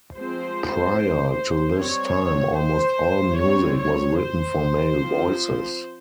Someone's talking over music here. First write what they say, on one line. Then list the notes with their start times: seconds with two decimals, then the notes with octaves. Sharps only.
Prior to this time almost all music was written for male voices.
0.16 F3 G#3 C4 C5
1.77 G3 C4 C#5
2.58 C5
3.38 G3 C4 C#5
3.77 C#5
4.18 C5
4.98 F3 C4